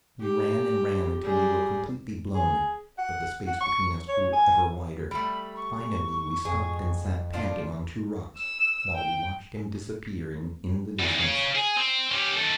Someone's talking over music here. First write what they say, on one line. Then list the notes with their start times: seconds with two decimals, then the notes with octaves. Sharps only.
We ran and ran until we were completely blown, but the space between us grew ever wider. Finally we stopped and sat panting on two rocks, while we watched him disappearing in the distance.
0.21 G4
1.24 G3 G#4
2.34 G#4
2.98 F#5
3.47 F#5
3.60 C#6
4.09 C#5
4.33 G#5
5.11 G3 A3 B5
5.56 C#6
6.45 F2 G#4
7.33 F3 D4 F4
8.37 E6
8.95 G5
11.00 E2 D#3
11.19 C#5 F5
11.55 G#4
11.77 C4
12.12 C#4 G4
12.36 D#3 A4